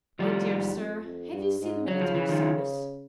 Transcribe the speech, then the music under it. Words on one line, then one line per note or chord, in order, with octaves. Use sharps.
"My dear sir, have you seen military service?"
A2 F3 G3
G#2
F2
F2
G2
G#2
C#3 F#3
F3
E3
D#3 F3